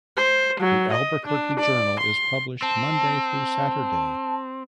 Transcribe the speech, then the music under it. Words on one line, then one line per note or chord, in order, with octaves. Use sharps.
The "Albuquerque Journal" is published Monday through Saturday.
C5
F#3
D#5
D4
D5
C6
C4 A5